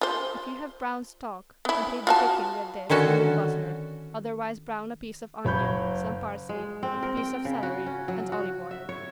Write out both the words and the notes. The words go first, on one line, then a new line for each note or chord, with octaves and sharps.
If you have brown stock complete the cooking with this and with butter, otherwise brown a piece of onion, some parsley, a piece of celery and olive oil.
F4 C5
B3 E4
F4 F#4 A5
D3 D#3 C#4 F#4 A4
F#1 C#5 B5 G6
G#3
C4
A#4
G5
C#3
F#4
C#4
F#3
F#4
E5
C#5